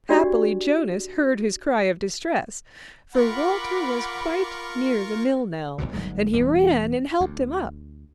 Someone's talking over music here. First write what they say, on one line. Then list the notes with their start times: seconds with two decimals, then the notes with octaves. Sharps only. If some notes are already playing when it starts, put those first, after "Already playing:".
Happily Jonas heard his cry of distress, for Walter was quite near the mill now, and he ran and helped him up.
0.09 D4 F#4 G4 D5
3.14 F4 A#4 F#5 B5 C#6 D6
5.78 F#1 B1 B2 D3
5.93 G1 G#2 F#3 G#3
6.33 E1 E2 G3
7.20 D2